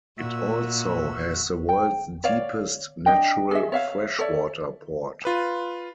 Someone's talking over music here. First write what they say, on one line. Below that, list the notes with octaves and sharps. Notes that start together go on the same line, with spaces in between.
It also has the world's deepest natural freshwater port.
A#2 F#4 E5 E6
G5
C#5 D5 F5
D4 D#5 G5
G#4 D#5 E5
C#5 E5 F5
A4 C#5 D5 E5
F4 B4